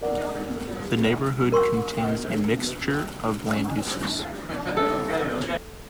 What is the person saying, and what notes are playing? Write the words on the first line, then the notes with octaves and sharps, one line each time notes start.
The neighbourhood contains a mixture of land-uses.
A#4 D5 F#5
A#4 C6 C#6 E6
A4